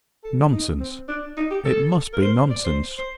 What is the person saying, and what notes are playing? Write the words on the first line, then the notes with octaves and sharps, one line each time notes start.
Nonsense; it must be nonsense!
A4
D#4
C4
D4
D#4
G4
A4
A#4
C5
D5
C5
C5